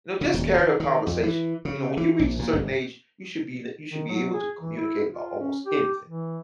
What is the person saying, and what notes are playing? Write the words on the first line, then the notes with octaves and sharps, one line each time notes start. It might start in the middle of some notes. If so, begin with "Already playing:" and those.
You know, just carry a conversation, you know, when you reach a certain age, you should be in a you should be able to communicate about almost anything.
C#3
D#1
D#3
D#3
F2
E3
C#3
E3
A#1
A#2
G1
D#3
F#3
G#4
E3
E4
F4
C#4
G4
E3